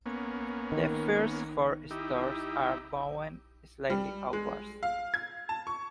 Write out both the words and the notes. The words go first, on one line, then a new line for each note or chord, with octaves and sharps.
The first four stories are bowed slightly outward.
A#3 B3 C#4
D#3
D#4 E4 G4
G3
G#3
F5
G#6
A5
C#6